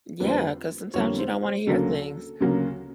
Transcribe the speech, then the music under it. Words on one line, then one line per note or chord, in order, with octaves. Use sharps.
Yeah, 'cause sometimes you don't wanna hear things.
F2 D3 G3 A#3 B4
C5
B4
F2 D3 G3 A#3 C#5
C5
C5
D2 C#3 F#3 A#3 A4
D2 C#3 F#3 A#3